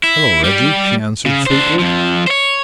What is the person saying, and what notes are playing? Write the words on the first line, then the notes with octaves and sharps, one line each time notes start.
"Hello, Reggie!" she answered sweetly.
E4
G3 G4
C#3
D4 C5
F2 F3
C5 C#5